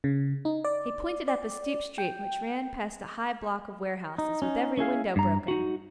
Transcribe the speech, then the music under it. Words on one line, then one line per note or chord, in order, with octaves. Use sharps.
He pointed up a steep street which ran past a high block of warehouses with every window broken.
C#3
D#4
D5
D5
G5
D#4
C#4 D#4
C#4 E4 G#4 F5
G2 A#5
D#4 F#4